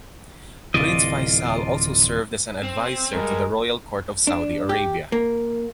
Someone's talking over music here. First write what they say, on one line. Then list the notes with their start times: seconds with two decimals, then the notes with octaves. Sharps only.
Prince Faisal also served as an adviser to the Royal Court of Saudi Arabia.
0.74 D1 C3 E3 F4 D5 D#5
2.63 C4
3.13 G2 G#3 A#4
4.27 D4
4.69 G4
5.12 A#3